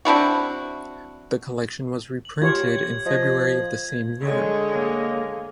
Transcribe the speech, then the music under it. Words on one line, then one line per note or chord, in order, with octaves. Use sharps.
The collection was reprinted in February of the same year.
C4 D4 E4 F#4
F#7
F4 G4 C#5 G#6
F3 D#5
D3 G#3 C#5 D#5
A#3